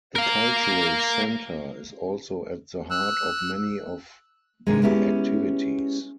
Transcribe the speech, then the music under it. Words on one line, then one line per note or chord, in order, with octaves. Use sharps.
The cultural centre is also at the heart of many of the activities.
A#4 F5
E6 F#6
C3 D#3 G#3
G#3 B3 C#4 E4 G4